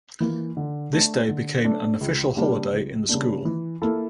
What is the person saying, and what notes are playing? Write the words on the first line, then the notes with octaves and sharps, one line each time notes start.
This day became an official holiday in the school.
E3 A#3
D3
A3 D4 A4
D3
A3 D4 A4
C#2
C#3 G3 A#3 D4
C#2
C#3 G3 A#3 D4
E3
A#3 E4 A4